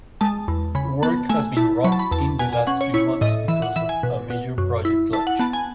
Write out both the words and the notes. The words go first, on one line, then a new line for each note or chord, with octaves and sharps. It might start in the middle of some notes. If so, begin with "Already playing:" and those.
Work has been rough in the last few months because of a major project launch.
G#3 A5
E2
C#3 B5
B3 A5
A3 G#5
E4 A5
F#3 B5
A5
B5
E2 A5
B2 G#5
G#5
C#4 F#5
C#5
E4 C#5
A2 D#5
E3 E5
F#5
E3 E5
G#5
B2
B2
F#2
E4
E4 A5
F#5
B3 A5
G#5